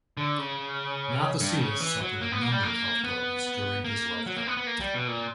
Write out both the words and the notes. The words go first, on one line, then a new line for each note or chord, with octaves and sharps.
Mathesius suffered a number of health problems during his lifetime.
D3
C#3
G2
C#3
E3
F#3
A#3
B3
A#3
G3
A#3
B3
A#3
F#3
A#3
B3
B3
A#3
G3
B2
A#2